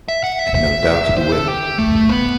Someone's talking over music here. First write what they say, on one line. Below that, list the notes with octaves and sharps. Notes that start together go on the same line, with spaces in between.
And no doubt he will.
E5
F#5
E5
E5
C5
A4
G4
A3
B3